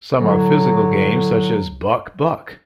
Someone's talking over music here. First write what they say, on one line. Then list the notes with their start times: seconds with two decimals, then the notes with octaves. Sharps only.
Some are physical games such as Buck buck.
0.19 A2 D3 F#3